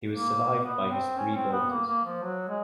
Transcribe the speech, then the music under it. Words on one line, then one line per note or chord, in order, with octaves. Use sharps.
He was survived by his three daughters.
A#3
B3
C4
C#4
C4
B3
A#3
A#3
F3
F#3
G#3